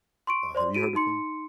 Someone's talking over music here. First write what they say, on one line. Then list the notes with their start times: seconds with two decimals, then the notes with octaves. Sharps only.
Uh, have you heard of him?
0.27 C6 C#6 D7
0.55 C5 D5 C6
0.74 F#4 D7 D#7
0.95 D#4 C6 C#7